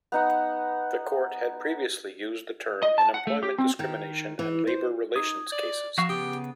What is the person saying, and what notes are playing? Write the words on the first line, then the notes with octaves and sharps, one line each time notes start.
The Court had previously used the term in employment discrimination and labor relations cases.
B3 D#4 F#5
D#5
A5
F#5
A3
G4
C4
D#3
E3
C5
D#4 D#6 G#6
D5
F3 F#4 F5 C#6 E7
C#3 B3 G4 D#6